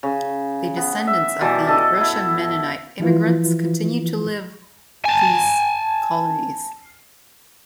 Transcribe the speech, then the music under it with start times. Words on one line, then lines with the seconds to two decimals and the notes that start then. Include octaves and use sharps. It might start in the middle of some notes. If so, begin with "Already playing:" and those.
The descendants of the Russian Mennonite immigrants continue to live these colonies.
0.03 C#3
0.77 B3
1.07 E5
1.41 B2 E3 G3 A5
1.67 A4 D#5 A5
2.01 E4
3.00 E3 F3 E4 F4 B4
5.05 G#5 A5